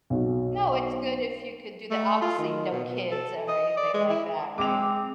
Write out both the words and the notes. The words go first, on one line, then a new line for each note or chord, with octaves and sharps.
No, it's good if you could do that. Obviously, no kids or anything like that, right?
B1 F#4
A3
F4
D#3
B2
B2
A4
D#5
D5
G#3
E4
G#3 C4 D6 F7